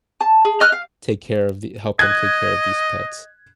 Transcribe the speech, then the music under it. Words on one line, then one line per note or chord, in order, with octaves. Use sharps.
take care of the help them take care of these pets.
A5
G#4
D#5 F6 F#6
F5
D#5 F#6 G#6